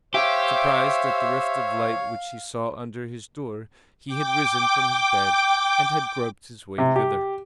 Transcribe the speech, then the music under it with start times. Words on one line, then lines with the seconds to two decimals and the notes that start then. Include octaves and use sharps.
Surprised at the rift of light which he saw under his door, he had risen from his bed, and had groped his way thither.
0.14 G4 C5 C#5 E5 F5
4.07 G5 D6
6.78 C3
6.96 G4